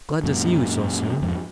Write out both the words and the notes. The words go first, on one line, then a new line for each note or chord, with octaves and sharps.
Glad to see you so soon.
F#2 A#2
F2 G#2